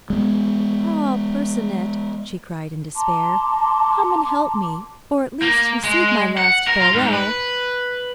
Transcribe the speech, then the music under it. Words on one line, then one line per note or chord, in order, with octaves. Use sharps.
"Ah! Percinet," she cried in despair, "come and help me, or at least receive my last farewell."
G#3 B3
A5 A#5 C6 D6
A#3
G#3
F#5
A#4
F4
G#2
B4